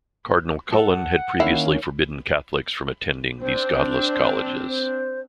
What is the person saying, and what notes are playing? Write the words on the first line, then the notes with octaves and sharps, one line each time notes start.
Cardinal Cullen had previously forbidden Catholics from attending these "godless colleges".
A4 F#5
D#3 A#3 C#4 E4 F5
C4 D4 C5
C5